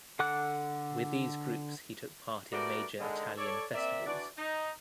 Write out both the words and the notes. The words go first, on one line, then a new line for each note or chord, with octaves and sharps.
With these groups he took part in major Italian festivals.
D3 A4 F#5 D6 F#6
G3 A3 B3 F#4 A#4 D5
G#2 D3 D#3 G#3
A4 C#5 D5
A#3 C4 D5 E5
E3 D4 F#4 D5
D#4